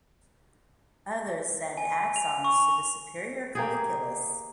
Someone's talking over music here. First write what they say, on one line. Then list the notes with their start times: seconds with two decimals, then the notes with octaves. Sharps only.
Others send axons to the superior colliculus.
1.77 G#5
2.16 F7
2.44 C#6
3.55 A#3 G4 G#4